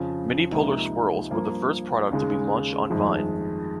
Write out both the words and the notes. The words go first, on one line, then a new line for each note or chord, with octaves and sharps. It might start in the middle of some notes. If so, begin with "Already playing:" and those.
Mini Polar Swirls were the first product to be launched on Vine.
Already playing: F2 C#3 F3
C#2 C3 F3 A#3 D#4
G2 F3 A#3
D#2 C#3 G#3
G1 F2 D#3 G#3